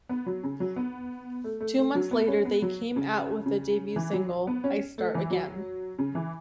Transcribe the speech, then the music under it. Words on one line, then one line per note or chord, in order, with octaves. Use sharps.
Two months later they came out with the debut single "I start again".
B3
F#3
C#3
F#3
B3
A3
A3
A3
F#3
B3
C#4
B3
F#3
C#3
C#3
E3
F#3
B3
C#4
A3
E3
F#3
C#3
E3